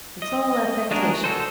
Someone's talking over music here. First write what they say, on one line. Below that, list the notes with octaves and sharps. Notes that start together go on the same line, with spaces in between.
It's all affectation.
D#5
G#3 D4 F#4 G#4 A#4
F#4 A4 C5